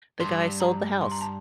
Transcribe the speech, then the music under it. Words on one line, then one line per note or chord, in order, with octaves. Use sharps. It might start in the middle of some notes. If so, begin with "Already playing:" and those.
the guy sold the house.
G2 C6
A#5
C6
A#5
A5